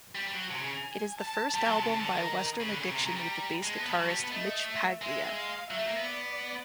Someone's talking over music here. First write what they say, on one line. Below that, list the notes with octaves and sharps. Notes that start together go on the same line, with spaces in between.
It is the first album by Western Addiction with the bass guitarist Mitch Paglia.
G3 G5
G3
F#3
C3 G#5
C#3
A5
G3
F#3
C3
C#3
D3
D#3
A#5
C#3 B5
D3
C#3
C3 A#5
C#3
G3
A#5
G#3 A5
B3
G3
F#3 A5
G3
B3
A3 D#5
E5
G#3 E5
F5
F#3 E5
A3
A#3
B3
D5